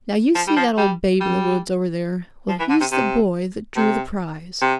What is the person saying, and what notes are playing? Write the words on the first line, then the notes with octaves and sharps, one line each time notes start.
Now, you see that old babe-in-the-wood over there? Well, he's the boy that drew the prize.
F3
G3
F3
G3
G3
F3
E3
D3
C3
C3
C3
C3